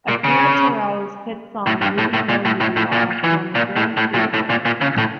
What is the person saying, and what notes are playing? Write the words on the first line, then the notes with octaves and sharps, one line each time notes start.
Akira Terao's hit song "Ruby no Yubiwa" won the Grand Prix award.
A#2
C#3
A2
G2
A2
A2
A#2
A2
A2
A2
A#2
E3
A#2
A2
A2
A#2
A2
A2
A#2
A#2
C#3
A2